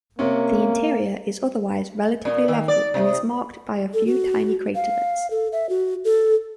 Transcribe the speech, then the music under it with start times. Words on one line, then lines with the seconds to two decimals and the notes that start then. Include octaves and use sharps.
The interior is otherwise relatively level and is marked by a few tiny craterlets.
0.19 C3 A#3 C#4
2.25 A#2
2.48 D#3
2.68 D5
2.94 C3
3.94 A4
4.07 F#4
4.75 F5
5.31 A4
5.52 E5
5.69 F#4
6.05 A4